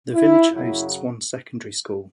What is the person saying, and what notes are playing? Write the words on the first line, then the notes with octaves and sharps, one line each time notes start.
The village hosts one secondary school.
E4
F#2 C#3 F#3 E4